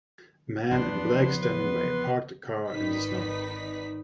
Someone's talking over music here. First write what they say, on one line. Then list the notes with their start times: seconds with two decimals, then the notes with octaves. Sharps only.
Man in black standing by parked car in the snow.
0.71 E2 F3 F#3 B3 D4 C6
1.42 B4
2.69 G#1 D#3 D#4 B4 D5 B6